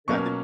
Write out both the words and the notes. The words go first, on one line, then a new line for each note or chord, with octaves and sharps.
yeah, I think
B2 F#3 A#3 C#4 C#6